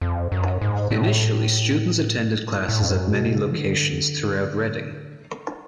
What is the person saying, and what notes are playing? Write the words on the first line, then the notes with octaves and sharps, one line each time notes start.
Initially students attended classes at many locations throughout Reading.
F2
F#2
G#2
A2
A2
F2
F#2
B2
C#3
F3
D3